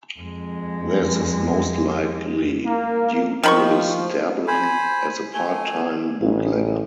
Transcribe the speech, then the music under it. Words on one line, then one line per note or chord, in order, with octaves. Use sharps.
This is most likely due to his dabbling as a part-time bootlegger.
F2 G#3
A#3
D#3 F3 B5 C#6
C5 G#5 B5
A3 G#5
A1